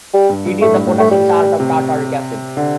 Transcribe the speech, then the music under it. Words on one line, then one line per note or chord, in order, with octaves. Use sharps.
It is the potassium salt of tartaric acid.
G3
G2
G2
A2 A3
G2
A2
A3
G3
C3
D3